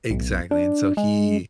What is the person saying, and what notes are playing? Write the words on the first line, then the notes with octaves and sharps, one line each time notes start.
Exactly and so he
B1
D4
G#3